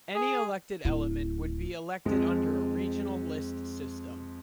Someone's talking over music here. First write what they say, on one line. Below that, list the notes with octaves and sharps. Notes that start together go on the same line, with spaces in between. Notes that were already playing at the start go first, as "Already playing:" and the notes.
Any elected element would be elected under a regional list system.
G#4
D1 E4
F2 G#3